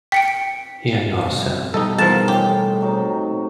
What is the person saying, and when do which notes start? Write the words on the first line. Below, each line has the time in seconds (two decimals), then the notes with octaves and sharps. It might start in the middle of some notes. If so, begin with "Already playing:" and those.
Here you are, sir.
0.12 G5 B6 C#7 D7
1.32 C2
1.74 B2 G3 D#4 A4 D#5
1.98 E2 G#2 F3 F4 A#4 A5
2.28 A2 G#3 G4
2.81 C3 F#3 D#4